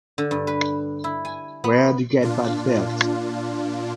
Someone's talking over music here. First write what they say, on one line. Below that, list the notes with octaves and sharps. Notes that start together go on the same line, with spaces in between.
Where'd you get that belt?
D3
G2
B4
E4
G#5
B3
A#2 D4 F4